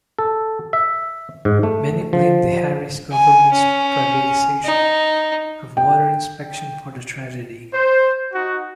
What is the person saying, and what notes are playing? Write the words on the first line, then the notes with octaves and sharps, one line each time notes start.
Many blamed the Harris government's privatization of water inspection for the tragedy.
A4
E5
G#2
A3
F3
G#5
C#4
D#4
G5
C5
D#4 F#4